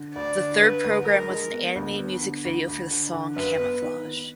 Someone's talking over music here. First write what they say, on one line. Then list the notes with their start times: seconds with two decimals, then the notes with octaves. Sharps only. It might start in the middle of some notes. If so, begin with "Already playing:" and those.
The third programme was an animated music video for the song "Camouflage".
Already playing: D3
0.16 D2 D5
0.38 D3
0.60 D3 B4
0.84 D2
1.07 G#3 A#4
1.30 G#3
1.53 B3
1.75 D2
1.98 B3
2.21 D3
2.45 D2
2.68 D2
2.91 D3
3.13 D3
3.36 F#2 B4
3.60 B3
3.82 D#3
4.05 B3